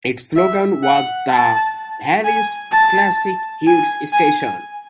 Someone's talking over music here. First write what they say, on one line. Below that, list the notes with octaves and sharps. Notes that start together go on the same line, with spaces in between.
Its slogan was The Valley's Classic Hits Station.
E5
F#5
A5
G#5
A5
G#5
G#5